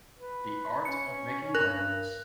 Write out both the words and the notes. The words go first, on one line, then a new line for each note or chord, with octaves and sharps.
The Art Of Making Records.
B4
C#4 C#7
G2 A#4 F#6